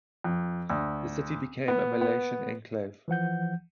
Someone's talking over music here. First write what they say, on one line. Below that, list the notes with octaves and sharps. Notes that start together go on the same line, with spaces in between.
The city became a Malaitan enclave.
F2
D2
B3
B3
E3 F3 F#5 G6